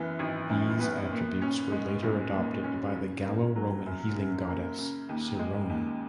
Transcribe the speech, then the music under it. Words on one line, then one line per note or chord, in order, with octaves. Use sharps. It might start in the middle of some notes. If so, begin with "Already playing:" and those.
These attributes were later adopted by the Gallo-Roman healing goddess, Sirona.
Already playing: F#2 E3 B3
G#1
F#2
B3
A#2
C#4
G#3
B1
A#2
C#4
C#3
A#3
F#3
F#2
C#3
A#3
C#3
D#2
G#3
D#2